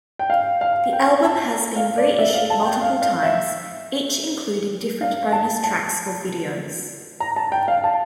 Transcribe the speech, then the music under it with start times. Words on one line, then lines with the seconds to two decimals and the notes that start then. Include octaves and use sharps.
The album has been reiussed multiple times, each including different bonus tracks or videos.
0.19 G5
0.30 F5
0.61 F5
0.93 G5
1.25 A5
1.76 F5
1.98 D5
2.11 D5
2.19 E5
2.34 F5
2.50 A5
2.65 G5
2.81 F5
3.02 F5
3.23 E5
5.01 F5
5.32 A5
5.63 A5
7.20 A#5
7.36 A5
7.52 G5
7.68 F5
7.84 A5